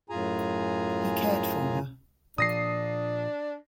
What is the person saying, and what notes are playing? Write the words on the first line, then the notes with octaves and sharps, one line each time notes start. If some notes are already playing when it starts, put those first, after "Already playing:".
He cared for her.
F#2 A2 F4 G#4 G#5 A#5
A#2 F3 D4 D#6 A#6 C7